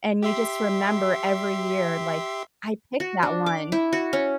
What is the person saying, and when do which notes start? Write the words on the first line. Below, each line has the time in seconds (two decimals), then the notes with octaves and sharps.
and you just remember every year like, "I picked that one."
0.23 G4 E5 C6
3.00 F#4
3.23 D4
3.46 D6
3.72 E4
3.93 F#4
4.13 C#4